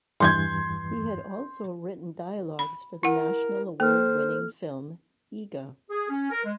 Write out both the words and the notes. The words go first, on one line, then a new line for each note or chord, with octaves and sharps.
He had also written dialogues for the National Award Winning Film Eega.
E2 G2 E3 C6 G6 G#6
B5
E4 A#4 F#5
A#3 A4 C5 F6
G#4
C#4
A#4
G#3